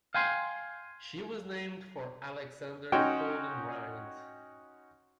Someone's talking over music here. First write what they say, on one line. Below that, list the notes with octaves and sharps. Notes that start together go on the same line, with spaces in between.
She was named for Alexander Colden Rhind.
F5 G5 G#5 C6
C#4 D#4 F#4 C#5 G5 C6